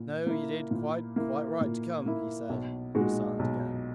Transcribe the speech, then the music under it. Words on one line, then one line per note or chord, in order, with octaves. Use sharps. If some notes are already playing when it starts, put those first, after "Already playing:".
"No, you did quite, quite right to come," he said, and was silent again.
Already playing: A#2
A#3 E4
A#2
A#3 E4
A#2
A#3 E4
B1
A#2 G#3 D#4 F#4
B1